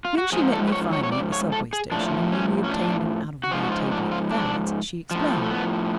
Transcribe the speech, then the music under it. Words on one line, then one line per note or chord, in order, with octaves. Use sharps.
When she met me finally, at the Subway station, and when we obtained an out-of-the-way table at the Fads, she explained.
F4
F#4
G#2 F3 G#4
A4
B4
C#5
C#5
C#5
D5
C#5
A4
G#4
A2 F3 D4
C#4
C#4
D4
F#4
G#2 F3 F4
F#4
F4
D4
F4
D4
A2 F3
A3
B3